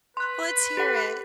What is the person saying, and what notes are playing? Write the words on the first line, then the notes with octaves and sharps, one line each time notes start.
Let's hear it.
B4 C6 F#6
G4 A4 F#5